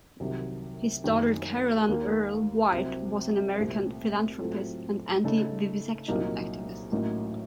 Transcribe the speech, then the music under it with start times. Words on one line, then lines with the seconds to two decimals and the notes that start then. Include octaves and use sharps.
His daughter Caroline Earle White was an American philanthropist and anti-vivisection activist.
0.20 C2 C3 D#3 F#3
1.04 F#2 D#3 A#3
1.88 D#2 D#3 A#3
2.72 C2 C3 F#3 C4
3.55 C2 A#2 A3 C4
4.40 A2 F#3 C4 F4 A4
5.24 C#3 A3 D#4 A4
6.08 C2 A#2 F#3 A#3 D#4
6.92 A1 A2 F#3 A#3 D#4